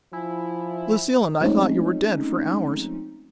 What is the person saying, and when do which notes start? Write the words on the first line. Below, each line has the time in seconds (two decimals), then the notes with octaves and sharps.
Lucille and I thought you were dead for hours.
0.13 F3 E4 G#5
1.41 F3 G#3 A3 C4 C#4 D#4